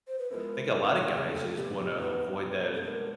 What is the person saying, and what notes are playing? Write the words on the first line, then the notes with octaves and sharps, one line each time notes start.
I think a lotta guys just wanna avoid that a
C5
B4
F3 G#3 B3 E4 A#4
D3 G3 A#3 D#4 F#4
F2 C#3 F#3 A3 G#4
A4
G#4
A#2 G3 B3 G4
G3 B3 D#4 F#4 B4
B2 G3 A#3 D#4
A4
G#3 B3 D4 F#4 A#4